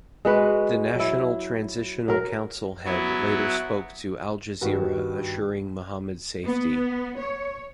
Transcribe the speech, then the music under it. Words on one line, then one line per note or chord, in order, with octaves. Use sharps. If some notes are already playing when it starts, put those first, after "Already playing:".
The National Transitional Council head later spoke to Al Jazeera assuring Muhammad's safety.
G#3 F#4 B4
F#3 E4
F#3 A#4
F#3 B3 E4
G2 D#3 F#4
B3
C#5